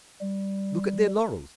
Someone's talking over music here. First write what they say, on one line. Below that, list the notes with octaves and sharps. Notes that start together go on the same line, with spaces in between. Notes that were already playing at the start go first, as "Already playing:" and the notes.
Look at their laurels.
G3